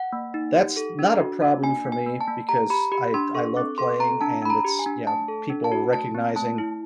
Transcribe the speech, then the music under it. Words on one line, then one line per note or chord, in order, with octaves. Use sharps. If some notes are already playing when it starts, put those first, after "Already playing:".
that's not a problem for me because I th I love playing and it's yeah, people recognizing
Already playing: F#5
A#3
D#4
G4
A4
D4
F#4
D4
A#3 G#5
A#3
G#5
A#3
A5
A#3
G4 A#5
G4 B5
G4 B5
D4 C6
A4 C#6
C4 D6
A4 C6
C4 A#5
D4 A5
D4 B5
A#5
G4
G#5
D4
A3 A5
A4
D4
A5
F#4
A3 A5
C4
A3 A5
E4